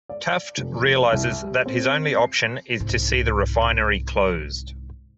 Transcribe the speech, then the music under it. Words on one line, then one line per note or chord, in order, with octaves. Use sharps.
Taft realizes that his only option is to see the refinery closed.
D5
F1
C2
G3
C4
C7
C2 G#2